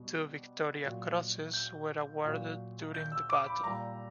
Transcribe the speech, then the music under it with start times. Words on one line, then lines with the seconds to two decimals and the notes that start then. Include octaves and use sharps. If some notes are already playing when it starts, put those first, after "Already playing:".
Two Victoria Crosses were awarded during the battle.
Already playing: B2 G3
0.85 A#2 F#3
1.54 G6
2.24 A#2 F#3
2.94 G6
3.12 E6
3.30 D6
3.46 B5
3.64 A#2 G3 A#5